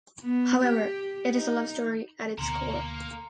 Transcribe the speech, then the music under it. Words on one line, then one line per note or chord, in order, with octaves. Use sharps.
However, it is a love story at its core.
B3
G4
D#4
D2 B2 A#3 A#4 A#5 C6 C#7